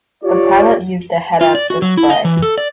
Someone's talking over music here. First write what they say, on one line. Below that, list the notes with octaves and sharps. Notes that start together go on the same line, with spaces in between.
The pilot used a head-up display.
F4 G4 C#5 D5
F4
D5
F#4
F#3
E4
D#5
E3
A4
D5